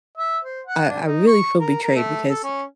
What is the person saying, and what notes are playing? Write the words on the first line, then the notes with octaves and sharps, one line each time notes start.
I I really feel betrayed because
E5
C5
F#5
D4
D#4
C#6
A#4
A#4
A3
A4
C#4